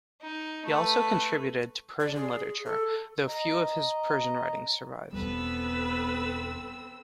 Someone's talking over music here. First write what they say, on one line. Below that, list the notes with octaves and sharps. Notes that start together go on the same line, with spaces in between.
He also contributed to Persian literature, though few of his Persian writings survive.
D#4
A3 B4
D5
G#4
A4
D#5 A#5
E1 E2 G3 B3 C4 A4 B4 E6